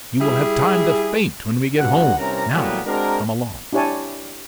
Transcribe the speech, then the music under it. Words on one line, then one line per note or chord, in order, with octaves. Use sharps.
You will have time to faint when we get home; now come along.
G3 E4 G#4
G2 A#2 C#3 F#4 F#5
C2 G2 C3 C#4 A#4 A#5
A2 E3 F#3 G3 A#3 B3
G#3 C4 D4 F#4 A#4
D4 E4 G4 C#5 G#5 A5